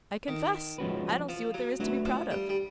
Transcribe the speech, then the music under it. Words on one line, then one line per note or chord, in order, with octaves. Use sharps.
'I confess, I don't see what there is to be proud of.
D#3
F3 G#3 C#4 F#4 B4
F3
F#3
F#3 A3 D4 F#4 B4 E5
F3
G3
G3